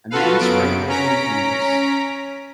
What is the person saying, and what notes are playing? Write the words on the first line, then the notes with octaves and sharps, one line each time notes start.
A man spray painting a canvas.
F4 F#4 A4 B4 F5
F#2 B3 D7
C#4 A#5 B6 D7